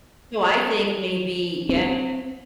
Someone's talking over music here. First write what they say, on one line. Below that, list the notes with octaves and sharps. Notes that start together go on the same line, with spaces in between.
So I think maybe Yeah,
C4